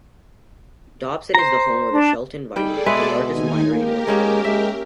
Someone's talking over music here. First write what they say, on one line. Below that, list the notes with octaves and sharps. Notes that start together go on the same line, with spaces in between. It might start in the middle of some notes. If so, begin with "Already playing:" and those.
Dobson is the home of the Shelton Vineyards, the largest winery in North Carolina.
C5 A#5
D4
G3 D#4 G#4 A4 D5 G5
B2 G#3 B4 E5
D#2 D#4 G#5
A#3 G4 A#4
G#3 A#3 C#4 D#4
G#3 E5